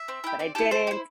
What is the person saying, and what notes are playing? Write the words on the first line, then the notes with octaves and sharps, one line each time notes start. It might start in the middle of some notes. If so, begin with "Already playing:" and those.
but I didn't,
Already playing: E5
C4
E4 G4
C4 D5
E4 G4 A4
A3 C5
G4
E4